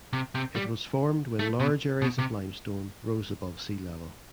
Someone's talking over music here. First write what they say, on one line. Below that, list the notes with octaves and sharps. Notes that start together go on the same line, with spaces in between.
It was formed when large areas of limestone rose above sea level.
C3
C3
G3
A3
B2
B2
C3